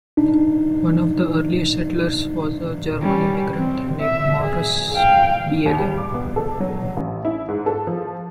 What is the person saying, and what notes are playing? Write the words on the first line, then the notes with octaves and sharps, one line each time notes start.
One of the earliest settlers was a German immigrant named Maurus Biehle.
D4 D#4
G3 C#4
C4
E5
G#4
F5 G5
D#2
G3
D6
B3
A4
F#3
A1
E4
G#2
A4
F3